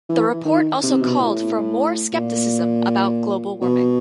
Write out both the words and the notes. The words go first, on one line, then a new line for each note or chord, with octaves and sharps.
The report also called for more scepticism about global warming.
E3
D#3
C3
B2
A2
A#2
B2